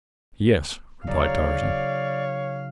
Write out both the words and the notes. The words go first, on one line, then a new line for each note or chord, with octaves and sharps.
"Yes," replied Tarzan.
C#3 F#3 D#4 C#5 D5 F5